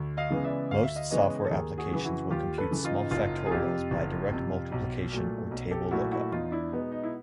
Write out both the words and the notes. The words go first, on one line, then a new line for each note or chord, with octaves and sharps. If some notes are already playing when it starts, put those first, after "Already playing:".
Most software applications will compute small factorials by direct multiplication or table lookup.
Already playing: D2
D#5 F5
C#3 E3 G#3 B3
D5 E5
D2 F5
E5
D#5 F5
C#3 E3 G#3 B3 C#5 D#5
A4
D#2 G#4 A#4
F#4 G#4
C#3 E3
E4 F#4
D#2 F4 G4
A4 B4
C#3 E3
D#4 F4
F#1 D#4 F4
G#4
F2 C3 F4 G4
F#1
F2 C3
B1
A#2 F#3 A3
B1
G4 A4
A#2 F#3 A3 E4 F#4
E4 F#4
E2 D#4 F4
D4 E4
B2 G#3 B3 D#4
D#4
E4